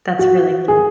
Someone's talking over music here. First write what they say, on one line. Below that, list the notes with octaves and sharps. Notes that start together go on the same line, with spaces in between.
That's really cute.
F#4
G#4